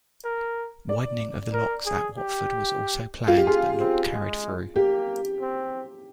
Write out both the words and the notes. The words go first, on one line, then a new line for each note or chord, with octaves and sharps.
Widening of the locks at Watford was also planned, but not carried through.
A#4
D5
A#4
G#4
G4
F4
G4
F4 G#4
C4
G#3
A#3 G4
C4